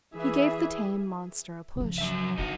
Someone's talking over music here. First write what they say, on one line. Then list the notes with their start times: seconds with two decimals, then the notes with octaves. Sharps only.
He gave the tame monster a push.
0.16 E3 G#4 E5
1.76 C#3 F3
1.99 F#3 E5
2.38 C4 D4 D#4 F#4